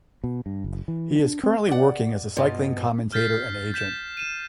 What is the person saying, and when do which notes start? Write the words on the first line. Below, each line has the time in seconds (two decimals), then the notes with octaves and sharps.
He is currently working as a cycling commentator and agent.
0.24 B2
0.46 G2
0.64 F#1
0.88 E3
1.19 D4
1.43 C4
1.69 D5 F#5
2.37 G2 B2 F4
3.12 F6 G6 A6 B6 C7
3.74 G6 B6 E7
4.17 D#7 E7